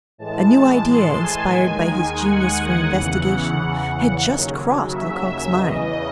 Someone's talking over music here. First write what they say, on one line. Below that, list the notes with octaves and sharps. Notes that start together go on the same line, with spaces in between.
A new idea inspired by his genius for investigation had just crossed Lecoq's mind.
A2 E3 G#3 A5
C6
G#5
D#2 D#3 G#3 G#5
F#5
E2 C#3 E3
D#2 C#3 F#3
E5
E2 C#3 E3 D#5